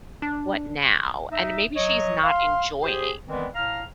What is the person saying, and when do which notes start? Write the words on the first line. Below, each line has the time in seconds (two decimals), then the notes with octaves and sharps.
What now? And maybe she's not enjoying
0.22 D4
1.32 D#4 E5
1.76 F#3 C#5 D#5
2.24 F5 C6
2.83 G4 G#4 C5
3.28 D#3 E3 G3 G#3 B3 C4
3.54 A2 F5 A#5 F6